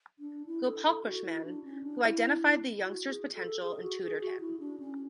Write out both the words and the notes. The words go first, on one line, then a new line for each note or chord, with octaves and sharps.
Gopalkrishnan, who identified the youngster's potential and tutored him.
D4
E4
A4
A4
F#4
E4
D4
C#4
D4
E4
F#4
G#4
A4
G#4
F#4
G#4
F#4
E4
D4
C#4